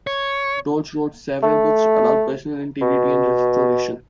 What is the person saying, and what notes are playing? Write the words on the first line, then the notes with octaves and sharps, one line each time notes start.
Dortch wrote several books about personal integrity and restoration.
C#5
A3
B2